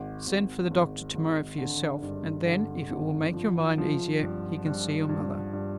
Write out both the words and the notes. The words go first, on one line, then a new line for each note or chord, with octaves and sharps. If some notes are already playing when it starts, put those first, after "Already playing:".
Send for the doctor to-morrow for yourself; and then, if it will make your mind easier, he can see your mother.'
Already playing: G#1
G#1
G#1
G#1
D3
G2
D3
G#1
F3
F3
G2
G2
G2
G2